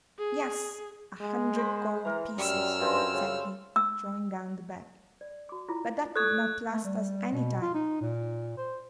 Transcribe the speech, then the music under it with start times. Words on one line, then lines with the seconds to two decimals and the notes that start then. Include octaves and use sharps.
'Yes, a hundred gold pieces,' said he, throwing down the bag, 'but that will not last us any time.
0.19 G#4
1.21 G#3
1.56 C5 B5
2.05 E3 A#4 A#5
2.38 F#2 G3 E6 F6
2.80 G2 F3 G#3 C4
3.14 C#3 G3 A3
3.76 E6
5.21 D5
5.49 F#4 D6
5.69 E4 F4 D6
6.16 A4 D5 C#6 F#6 G#6
6.72 A3
6.85 G3
7.33 B2
7.62 F4
7.74 D#4
8.02 A#2
8.58 C5